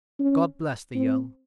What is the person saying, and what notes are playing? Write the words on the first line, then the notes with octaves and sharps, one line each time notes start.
God bless the young!
C#4
C4